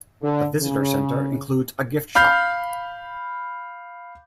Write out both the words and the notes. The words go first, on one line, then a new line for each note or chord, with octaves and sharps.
The visitor centre includes a gift shop.
D3
C#3
F5 B5 F6 G6